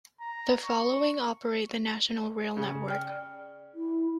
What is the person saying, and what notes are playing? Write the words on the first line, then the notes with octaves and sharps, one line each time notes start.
The following operate the National Rail network.
A#5
C#6
C#3
D5 G5 F6
E4